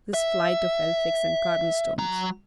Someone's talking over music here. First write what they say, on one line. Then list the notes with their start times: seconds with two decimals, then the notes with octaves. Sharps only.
"This flight of Elphick's and Cardlestone's."
0.14 E5
1.99 F#3 A#5